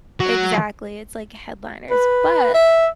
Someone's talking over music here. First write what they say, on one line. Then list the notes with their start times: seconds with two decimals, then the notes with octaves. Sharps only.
Exactly, it's like headliners, but
0.20 F#3
1.91 B4
2.55 E5